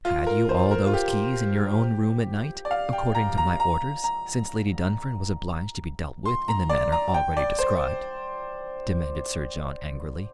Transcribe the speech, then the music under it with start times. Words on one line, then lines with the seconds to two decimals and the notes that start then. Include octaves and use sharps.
"Had you all those keys in your own room at night, according to my orders since Lady Dunfern was obliged to be dealt with in the manner already described?" demanded Sir John angrily.
0.05 F4
0.27 A#4
0.49 C5
0.71 A#4
0.87 F4
0.94 G4
2.65 D5
2.71 F5
2.93 G5
3.15 A#5
3.38 A#5
3.60 A#5
4.04 A#5
6.26 C6
6.48 A#5
6.70 D5
6.92 A#5
7.14 G5
7.37 D5
7.59 C5